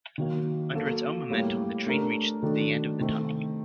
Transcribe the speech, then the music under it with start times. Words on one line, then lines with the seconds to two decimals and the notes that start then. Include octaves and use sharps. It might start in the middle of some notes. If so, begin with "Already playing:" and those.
Under its own momentum the train reached the end of the tunnel.
0.18 D#3 F#3 A#3
0.73 F#3 A#3 F#4 A4
1.30 A2 G3 A#3
1.86 A3 D4 G4 A#4
2.42 D#3 F#3 A3 D4 A4
2.99 C3 D#3 A3